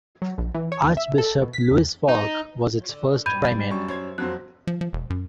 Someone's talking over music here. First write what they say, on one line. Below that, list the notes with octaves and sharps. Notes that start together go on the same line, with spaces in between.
Archbishop Louis Falk was its first primate.
F#3
A#1
E3
C#5
D#2
E5
A4
B2
B6
E2
D#4
D3
G2 A#2 C4 B5 G6 G#6 D#7
G3 C4 D4 A6
F#2 C#6
F#2 C5 C#5 G#6
F2 F#3 C4 F#6
F3
F3
E1
F#2